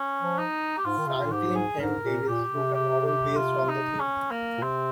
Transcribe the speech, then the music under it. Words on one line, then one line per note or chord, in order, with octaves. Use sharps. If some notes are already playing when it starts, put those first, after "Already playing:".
Franklin M. Davis wrote a novel based on the theme.
Already playing: C#4
F3
D#4
G4
G#2 F4
D#3
C#3 F4
C3
A#2
G#2 G4
G#4
G#2 A#4
A#2
A#2 G4
C3
G4
G4
F4
D#4
C#4
A#3
A#2
C3 C4